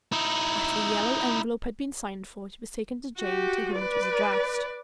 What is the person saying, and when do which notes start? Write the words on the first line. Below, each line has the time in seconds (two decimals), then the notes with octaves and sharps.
After the yellow envelope had been signed for, it was taken to Jane, to whom it was addressed.
0.12 D#4 E4
3.18 F#4 G4
3.75 B4 D5